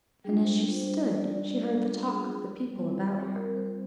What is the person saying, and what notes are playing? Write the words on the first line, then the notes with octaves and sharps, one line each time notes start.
And as she stood she heard the talk of the people about her.
G3 D4 F4 G#4
C5
C5
C5
D5
D5
G#4
G3 C4 F4
A#4
C5